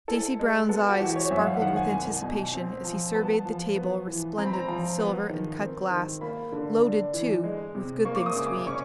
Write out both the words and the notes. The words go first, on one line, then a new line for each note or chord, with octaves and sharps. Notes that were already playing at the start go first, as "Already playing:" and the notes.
Stacy Brown's eyes sparkled with anticipation as he surveyed the table resplendent with silver and cut glass--loaded, too, with good things to eat.
E4 A4
G#3
B3 A4
F#4
E3 G4
C#5
F#2 E5
F#5
F5
D#3 F#5
G#5
C2
B2
C4
F3
B3 A5
F3
B3
E3
C4 A#5
B5
A#5
F3
B3
D#3
C4
D#3
A#3 B5
D3
D4
E3
G#3
C3
A#3 C#6
D6
D#6
C#3
D6
C#4 C#6